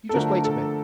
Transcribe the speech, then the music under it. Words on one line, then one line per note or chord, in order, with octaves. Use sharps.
You just wait a bit.
A4
D3 F3 A3 D4 A#4
A4